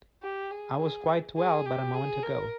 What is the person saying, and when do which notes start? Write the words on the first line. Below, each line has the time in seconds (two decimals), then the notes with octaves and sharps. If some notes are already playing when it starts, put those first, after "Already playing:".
I was quite well but a moment ago.
0.23 G4
0.51 G#4
0.79 G#4
1.37 G#4
1.66 G4
1.94 G#4
2.23 A#4